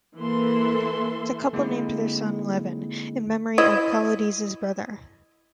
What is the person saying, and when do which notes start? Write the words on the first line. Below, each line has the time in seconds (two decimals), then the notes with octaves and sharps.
The couple named their son Levan, in memory of Kaladze's brother.
0.16 E3 A#3 A4 E5 C6
1.53 D3 G#3 A#3 C4 D#4 E4
3.58 E4 D#5